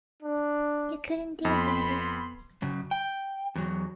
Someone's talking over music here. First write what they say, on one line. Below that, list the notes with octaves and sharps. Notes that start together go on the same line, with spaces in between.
You couldn't do better.
D4
F2 B3 B5 C6
F#2 C#3
G5
E2 F#3